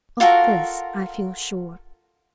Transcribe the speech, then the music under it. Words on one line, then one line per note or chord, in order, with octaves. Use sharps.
Of this I feel sure.
F4 F#4 A4 A#4